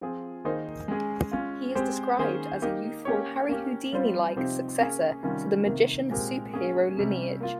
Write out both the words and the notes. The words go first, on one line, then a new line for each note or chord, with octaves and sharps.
He is described as a youthful Harry Houdini-like successor to the magician super-hero lineage.
F3 C4 F4 G#4
D#3 A#3 D#4 G#4 C5
G#3 C#4 G#4
G#3 C#4 F4
G#3 C4 G4 C5
D#3 A#3 C#4 G#4 C5
A#3 D#4 G4
A#3 C#4 G4 C#5
A#3 C#4 G4
G3 C4 F4 C5
C3 F3 C4 D#4 G4
A#3 C#4 G#4
C3 D#3 G3 C#4 F4
C3 D#3 A#3
A#2 G#3 C4 G4 A#4
A#3 C#4 G#4
C3 G3 C#4
A#3 F4